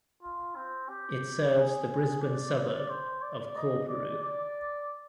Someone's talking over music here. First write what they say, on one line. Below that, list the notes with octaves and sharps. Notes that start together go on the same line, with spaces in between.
It serves the Brisbane suburb of Coorparoo.
F4
C4
G4
G#4
G#4
D5
D5
C5
D5
D#5
D5
D5